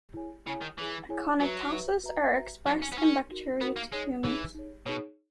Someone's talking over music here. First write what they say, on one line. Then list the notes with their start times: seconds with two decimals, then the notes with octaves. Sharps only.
Aconitases are expressed in bacteria to humans.
0.14 E4 G#4 C#5 G#5
0.46 C#3 E4 G#4 C#5 G#5
0.61 D#3
0.78 E3 E4 G#4 C#5 G#5
1.09 E4 G#4 C#5 G#5
1.41 F#3 F#4 B4 E5 A#5
1.72 F#4 B4 E5 A#5
2.03 F#4 B4 E5 A#5
2.35 F#4 B4 E5 A#5
2.66 F#3 D#4 F#4 A#4
2.82 C#4
2.92 B3
2.98 C#4 D#4 F#4 A#4
3.29 D#4 F#4 A#4
3.60 B3 D#4 F#4 A#4
3.76 A#3
3.92 G#3 D#4 G#4 C#5
4.23 E3 D#4 G#4 C#5
4.55 D#4 G#4 C#5
4.86 B2 D#4 G#4 C#5